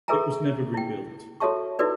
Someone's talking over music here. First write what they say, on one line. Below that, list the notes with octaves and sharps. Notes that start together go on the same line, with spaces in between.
It was never rebuilt.
G#4 A4 B4 E5 G#5 A#5
E4 G5
F#4 A4 C#5 E5 A5 C#6
D#4 E4 F#4 A4 B4 D5